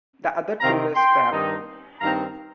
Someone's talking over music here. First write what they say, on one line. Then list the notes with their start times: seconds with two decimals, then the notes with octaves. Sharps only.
The other two were scrapped.
0.61 C3 D#3 C4 F5 A#5
0.95 G5 C6
1.30 G2 D#3 C4 D#4
1.99 G2 D#3 C4 D#4 F5 A#5